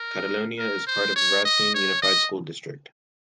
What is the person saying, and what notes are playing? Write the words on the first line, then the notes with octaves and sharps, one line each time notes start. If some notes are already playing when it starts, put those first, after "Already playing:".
Caledonia is part of Racine Unified School District.
Already playing: A#4
A#4
C5
C#5
D#5
C#5
D#5